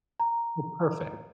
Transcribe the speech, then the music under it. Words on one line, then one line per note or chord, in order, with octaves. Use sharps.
Well, perfect.
A#5